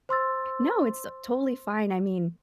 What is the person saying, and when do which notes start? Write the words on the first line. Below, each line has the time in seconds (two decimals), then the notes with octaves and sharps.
No, it's, uh, totally fine. I mean,
0.09 C5 C6 E6 A6